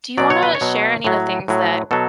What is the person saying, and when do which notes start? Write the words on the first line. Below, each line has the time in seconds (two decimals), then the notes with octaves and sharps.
Do you wanna share any of the things that
0.18 B2 F#3 D5
0.30 C#5
0.43 B4
0.55 C#5
0.61 B2 F#3
1.04 A2 F#3
1.48 A2 F#3
1.91 B2 F#3 A4